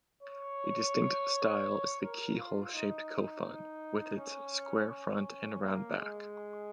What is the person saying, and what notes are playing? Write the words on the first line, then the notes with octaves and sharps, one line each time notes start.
A distinct style is the keyhole-shaped kofun, with its square front and round back.
C#5
A#4
F4
D#4
C#4
C#4
A#3
G#3